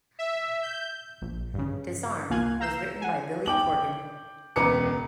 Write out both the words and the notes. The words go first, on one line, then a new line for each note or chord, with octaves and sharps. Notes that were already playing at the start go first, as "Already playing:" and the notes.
"Disarm" was written by Billy Corgan.
E5
G6
A#1
G2 C#3
C2 A#3 F4 G#5 F#6 G#6
F5 A#5 E6 G6 C7 E7
F#5 G#5
G5 D6 F#7
E1 C#2 B4 A#5 D6 C#7